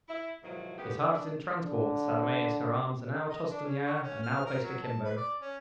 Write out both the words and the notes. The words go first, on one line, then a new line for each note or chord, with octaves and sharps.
His heart is in transport with Salome as her arms are now tossed in the air, and now placed akimbo.
E4
G#2 B2 D#3 F3 F#3 E4
C#3 E3 G#3 B3 G4
D4
D3
D#5
D4
C#4
C#6
C#4
F6
A#4
F#3
A5
B4
D5
C#4